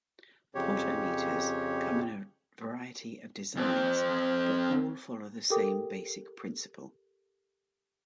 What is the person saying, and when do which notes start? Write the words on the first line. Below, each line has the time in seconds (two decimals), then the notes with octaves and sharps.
Potometers come in a variety of designs, but all follow the same basic principle.
0.55 F2 C#3 G4 C#5
3.56 F2 C4
5.50 G4 A4 A#4 G5 D6 D#6